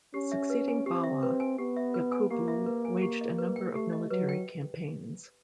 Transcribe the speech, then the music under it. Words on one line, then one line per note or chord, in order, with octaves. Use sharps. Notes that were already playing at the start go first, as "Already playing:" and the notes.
Succeeding Bawa, Yakubu waged a number of military campaigns.
C#4 G4
E5
B4
G#5
C4 G4
E5
B4
G#5
B3 G4
E5
B4
G#5
A#3 G4
E5
B4
G#5
G4
D#5
B4
G5
A3 G4
D#5
F#3 B4
G5